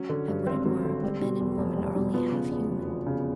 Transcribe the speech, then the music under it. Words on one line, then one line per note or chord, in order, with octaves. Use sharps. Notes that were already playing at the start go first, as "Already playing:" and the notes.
I would it were; but men and women are only half human.
Already playing: F#3 C#4
D3
G2
G#1 C4
F#3
D3
G3
B2
E2
F1
G3
B2
F3 B3
C#3
E2
F1
F3
C#3